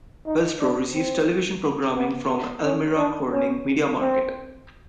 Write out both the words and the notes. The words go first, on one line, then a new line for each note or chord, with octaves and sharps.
Wellsboro receives television programming from the Elmira-Corning media market.
D#4
D4
C4
B3
B3
C#4
D4
C#4
C4